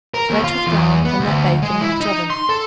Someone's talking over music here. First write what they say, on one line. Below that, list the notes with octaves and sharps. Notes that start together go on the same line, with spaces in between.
Dredge with flour and let bake in a hot oven.
A#4
D#2
F4
E2
B3
D2
G#3
E4
D#4
C6
A4